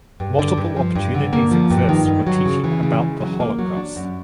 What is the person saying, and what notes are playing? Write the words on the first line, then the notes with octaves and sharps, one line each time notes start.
Multiple opportunities exist for teaching about the Holocaust.
G2
D3
G2
F3
G2
D3
A#3
F3
G2
D#3
G2
F#3
C#3
E3
C#3
G#3
F#3
A#3
F#3
D4
F#2